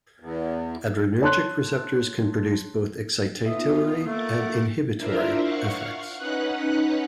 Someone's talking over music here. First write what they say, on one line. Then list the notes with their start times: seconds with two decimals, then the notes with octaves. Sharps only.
Adrenergic receptors can produce both excitatory and inhibitory effects.
0.20 E2
1.22 C#5 A5 C6 F#6
3.46 B2 B3 D#4 F4 E5 D#6
4.06 A3 A#3 A#4 F#5 D6
4.97 D4 E4 F4 A#4 C5 E5
5.42 F5 F#5 C#6
6.16 C#4 D#4 B4 F#5 F#6